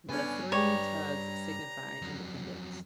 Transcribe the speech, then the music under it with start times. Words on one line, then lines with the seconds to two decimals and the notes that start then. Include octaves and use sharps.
The three tugs signify independence.
0.09 G2 D3 B3 C#4 D4 G#5
0.52 G4 B4 C#5 D5 A#5
2.02 F2 F#3